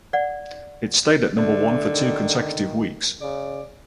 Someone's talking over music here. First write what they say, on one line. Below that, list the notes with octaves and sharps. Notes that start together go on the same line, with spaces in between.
It stayed at number one for two consecutive weeks.
D5 F#5
D3 A3
D#3
C#3 D5